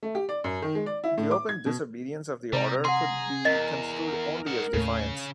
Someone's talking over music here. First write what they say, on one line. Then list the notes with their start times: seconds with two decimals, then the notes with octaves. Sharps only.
The open disobedience of the order could be construed only as defiance.
0.03 A3
0.15 G4
0.29 D5
0.44 F#2
0.62 D#3
0.75 G#3
0.86 D5
1.04 E4
1.18 A2
1.31 D6
1.49 G#6
1.66 B2
2.53 C3 G3 A#5
2.85 G#4 F#5 C6
3.45 E2 A#4 D#5
4.47 D#4 F#5
4.73 D#2 A2 C#3 A3